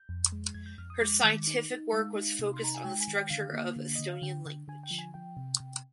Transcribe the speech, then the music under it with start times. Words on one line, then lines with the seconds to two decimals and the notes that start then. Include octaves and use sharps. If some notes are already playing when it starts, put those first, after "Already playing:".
Her scientific work was focused on the structure of Estonian language.
Already playing: G6
0.09 F2
0.32 G#3
0.54 F2 G#6
0.66 G6
0.78 F2 F6
0.90 D#6
1.01 G#3 D6
1.24 D#3
1.47 D#4
1.70 D#4
1.93 G#3 F5
2.15 D#4
2.39 C3
2.54 C6
2.62 D#4 A#5
2.75 G#5
2.84 G#3 G5
3.01 G#5
3.08 D#3
3.15 G5
3.30 D3 F5
3.53 A#3
3.76 D3
3.95 D3 D#5
4.09 F5
4.22 D3 G5
4.46 D3
4.68 D3 G#5
4.83 G5
4.91 F3
4.99 G#5
5.14 F3 G5
5.37 C3
5.60 C3